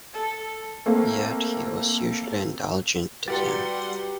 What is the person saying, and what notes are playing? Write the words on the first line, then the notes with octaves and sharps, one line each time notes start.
Yet he was usually indulgent to them.
A4
A3 A#3 C4
G3 F#4 G4 B4 F#5 A#5 C6 A6